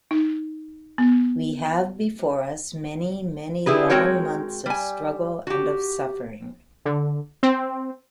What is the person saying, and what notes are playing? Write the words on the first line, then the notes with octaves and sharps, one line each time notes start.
We have before us many, many long months of struggle and of suffering.
D#4
B3
D3 E4 G4 G#4 B4
G#3 C4 F#4 A#4 C#5 G5
G3 G#5
F#4 G4
D3
C4